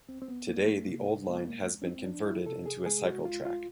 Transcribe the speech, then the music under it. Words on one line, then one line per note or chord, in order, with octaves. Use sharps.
Today the old line has been converted into a cycle track.
C#2 C4
C4
B3
F3 A#3
A3
C3 A#3
G#3 B3
A#3
D2
C#4
C4
F3 D4
E4
C3 A4
G#4
G#3 G#4
F#4
C2 F4
F4